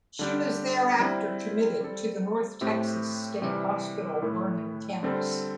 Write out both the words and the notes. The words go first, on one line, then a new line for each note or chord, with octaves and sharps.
She was thereafter committed to the North Texas State Hospital-Vernon Campus.
D3 G3 D4 G4
G3 C4 E4
G3 C4 A4
A2 A3 C4 G4
C3 E3 G3
A2 A3 E4
D3 G3 C4 A4